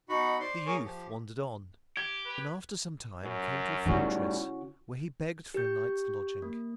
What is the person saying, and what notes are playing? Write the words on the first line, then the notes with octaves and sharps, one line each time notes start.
The youth wandered on, and after some time came to a fortress where he begged for a night's lodging.
B2 D#4 F#4 F#5 B5
C5 D5 C6
A#3 G#4 A#4 C#5
F3 G4
G4 G#6
B4
F#2
A2 C#3 G3 C#4 E4 F#4
G4 G6
A#3